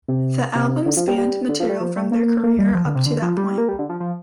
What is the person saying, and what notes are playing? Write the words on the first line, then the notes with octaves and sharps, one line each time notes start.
The album spanned material from their career up to that point.
C3
C3
D3
F3
G3
G3
D3
F3
G3
F3
G3
A#3
A#3
G3
F3
D3
C3
D3
F3
G3
A#3
G3
D3
F3
F3